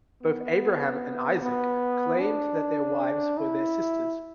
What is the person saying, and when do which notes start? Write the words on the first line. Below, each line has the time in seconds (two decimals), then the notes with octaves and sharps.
Both Abraham and Isaac claimed that their wives were their sisters.
0.22 B3
1.41 B3
2.20 D4
3.39 E4